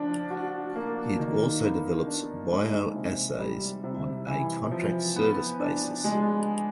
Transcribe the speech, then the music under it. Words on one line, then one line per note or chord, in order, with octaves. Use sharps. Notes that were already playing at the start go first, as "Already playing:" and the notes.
It also develops bioassays on a contract service basis.
Already playing: F3 D4
F#4
A#3
D#3
B3
D4
G#3
C3
G3
C3
E3
F3
B3
D4
G#3